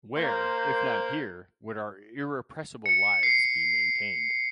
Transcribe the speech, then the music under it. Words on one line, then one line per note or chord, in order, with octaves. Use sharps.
Where, if not here, would our irrepressible lives be maintained?
A#3 A#4 C5
C#7
C7